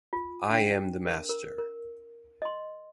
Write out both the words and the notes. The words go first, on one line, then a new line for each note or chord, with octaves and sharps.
I am the Master.
F4
D4 G5
A#4
A#4
A#4
D#5 C6